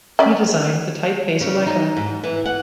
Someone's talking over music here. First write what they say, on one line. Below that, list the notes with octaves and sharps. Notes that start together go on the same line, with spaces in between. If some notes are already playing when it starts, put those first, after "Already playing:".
He designed the typeface Allegra.
C#4 D5
C#3
D#4
G#2
E3
F#5